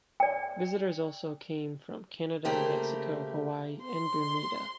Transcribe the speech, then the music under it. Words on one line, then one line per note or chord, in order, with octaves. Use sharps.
Visitors also came from Canada, Mexico, Hawaii and Bermuda.
D5 G5
C#3 A3 A#3 G4 C5
C6